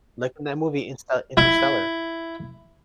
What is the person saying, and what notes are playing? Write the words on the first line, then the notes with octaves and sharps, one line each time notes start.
Like in that movie, Insta Interstellar.
E4